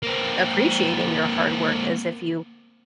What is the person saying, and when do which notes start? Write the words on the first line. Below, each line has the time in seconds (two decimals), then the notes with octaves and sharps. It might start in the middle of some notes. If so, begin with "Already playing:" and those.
appreciating your hard work as if you
0.03 A#3 C4